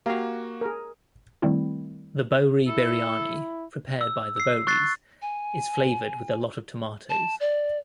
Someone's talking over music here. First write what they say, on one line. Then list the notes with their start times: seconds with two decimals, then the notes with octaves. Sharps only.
The Bohri biryani, prepared by the Bohris is flavoured with a lot of tomatoes.
0.06 A#3 F#4 G4 F5 A#5
0.61 G#4 A#4
1.42 D#3 G3 A3 C4 E4
2.68 E4 A4
4.01 E6
4.36 E6 C7
4.67 C#6 F#6 A6 C7
5.22 G#5
7.10 A5
7.40 D5